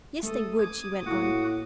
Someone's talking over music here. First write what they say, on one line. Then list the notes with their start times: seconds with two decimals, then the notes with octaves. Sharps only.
"Yes, they would," she went on.
0.23 A3 A4 D#6
0.59 D6 D#6 G#6
1.06 A2 A#3 F#4 F#5